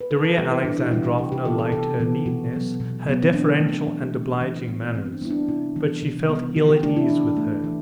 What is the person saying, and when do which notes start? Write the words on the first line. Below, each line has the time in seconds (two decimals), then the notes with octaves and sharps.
Darya Alexandrovna liked her neatness, her deferential and obliging manners, but she felt ill at ease with her.
0.01 B4
0.11 C3 A4
0.24 B4
0.38 E3 G3 B3 G4
0.51 E4
0.65 C3 D4
0.78 E4
0.86 F#4
0.91 E3 G3 B3 E4
1.05 F#4
1.18 C3 G4
1.32 G4
1.45 E3 B3 A4
1.58 A4
1.72 C3 A4
1.99 E3 B3
2.26 B2 F#4
2.53 F#3 B3
2.80 B2
3.07 F#3 B3
3.24 C4
3.34 E3 D4
3.60 A3
3.87 E3
4.14 A3
4.41 E3
4.68 G3 B3
4.95 E3 C4
5.05 C4
5.12 D4
5.22 G3 B3 E4
5.30 D4
5.48 C3 E4
5.76 E3 G3 B3
6.02 C3
6.29 E3 G3 B3
6.56 E3 F#4
6.69 G4
6.83 A3 D4
6.96 E4
7.10 E3 D4
7.37 A3
7.64 E3